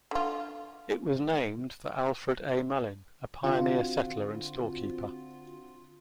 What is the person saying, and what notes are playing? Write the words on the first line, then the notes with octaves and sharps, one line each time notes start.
It was named for Alfred A. Mullin, a pioneer settler and storekeeper.
D3 F4
D3 C4 F4 F#4